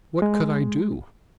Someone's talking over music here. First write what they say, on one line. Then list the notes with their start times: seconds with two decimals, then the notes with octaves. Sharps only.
What could I do?
0.22 G#3